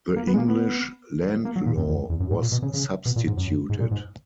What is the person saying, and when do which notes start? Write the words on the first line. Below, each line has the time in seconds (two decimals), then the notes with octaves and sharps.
The English land law was substituted.
0.16 A#3
0.27 B3
0.34 G#3
0.38 A#3
0.49 B3
1.45 A#3
1.56 F#3
1.66 A#2
1.77 F#2
1.88 E2
2.10 E2
2.20 F#2
2.31 G#2
2.41 A#2
2.52 B2
2.62 C#3
2.74 C#3
3.05 B2
3.16 A#2
3.27 G#2
3.37 F#2
3.70 G#2
3.80 A#2
3.91 G#2